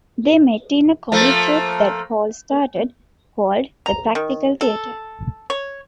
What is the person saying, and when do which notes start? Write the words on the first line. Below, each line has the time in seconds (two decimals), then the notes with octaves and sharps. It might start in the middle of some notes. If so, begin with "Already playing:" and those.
They met in a comedy troupe that Hall started, called "The Practical Theater".
1.12 F3 A3 A#3
3.86 A#5
4.15 D#3
4.61 A4
5.50 C#5